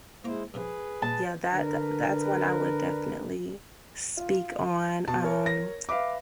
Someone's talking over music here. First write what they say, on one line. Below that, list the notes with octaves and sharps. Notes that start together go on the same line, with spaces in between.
yeah, that th that's one I would definitely speak on, um,
G#3 A#3 E4 C5 A#5 D6
F#2 C3 F3 G#4 B4
A#2 G#3 A5
D3 D4 A#4 B4
F4
B2 A5
A#4 C#5
A#6
B4 E5 F5 D6